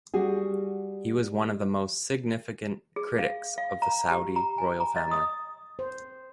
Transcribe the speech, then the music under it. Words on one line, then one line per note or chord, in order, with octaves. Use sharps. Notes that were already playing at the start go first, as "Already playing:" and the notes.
He was one of the most significant critics of the Saudi royal family.
G3 F#4 G#4
G#4
F5
F5
A#5
G4
A#5
G#5
A#5
D#5
D#6
C5